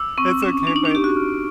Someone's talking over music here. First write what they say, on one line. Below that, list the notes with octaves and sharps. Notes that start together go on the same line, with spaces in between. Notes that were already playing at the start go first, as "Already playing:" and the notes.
it's okay if I
Already playing: D6 E6
C4 C#6
C#4 E6
D4 D7
D#4
D4
G4 D7
F#4
F6